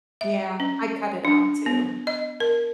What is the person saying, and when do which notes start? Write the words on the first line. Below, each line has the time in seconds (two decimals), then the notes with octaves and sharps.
Yeah, I cut it out too.
0.21 E5
0.60 C#4
1.25 D4
1.66 B3
2.07 D#5
2.40 A#4